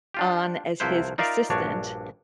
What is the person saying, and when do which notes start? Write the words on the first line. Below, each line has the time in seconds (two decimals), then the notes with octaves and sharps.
on as his assistant
0.14 D4 F4 G4
0.80 C2 C3 F3 E4 B4 C5
1.18 D#4 F4 A#4 D5 E5 F5
1.50 A#1 G2 D4 F#4 C#5